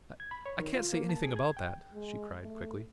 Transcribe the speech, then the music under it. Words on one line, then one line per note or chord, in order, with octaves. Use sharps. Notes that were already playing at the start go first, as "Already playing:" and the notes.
"I--I can't say anything about that!" she cried, quickly.
G#6
B5
C#5
D#3
F4
A#3
A5
G#4
G#6
G5
G#3
A3